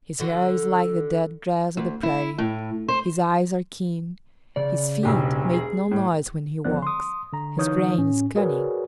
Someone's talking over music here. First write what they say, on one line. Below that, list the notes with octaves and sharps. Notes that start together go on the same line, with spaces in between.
His hair is like the dead grass of the prairie; his eyes are keen; his feet make no noise when he walks; his brain is cunning.
D3 F#4
D2
E4
A2
C5
C#3 D5
E1 B1 G4
G#4
A2
G#1 D3 F3 B3 D5 F#6
C6 D#6
D3 A#5
D3 E3 D#4 C#5 D#6 G6
A2 C#4
F#4 G#4 A#4 B4 C#5 D5